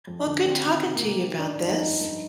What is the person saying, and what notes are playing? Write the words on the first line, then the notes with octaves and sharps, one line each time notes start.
Well, good talking to you about this.
F2
D#4
D3 D4
D3 C4
D#3 C4
C3
A#3
C3
D#3
D#3 D4
D4
F2 D#4
G2
G2